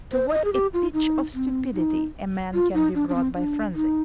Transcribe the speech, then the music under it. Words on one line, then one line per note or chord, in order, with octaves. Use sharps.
To what a pitch of stupidity a man can be brought by frenzy!
C5
D5
D#5
G#4
G4
F4
D#4
C4
D#4
F4
D#4
D4
D4
C4
D4
D#4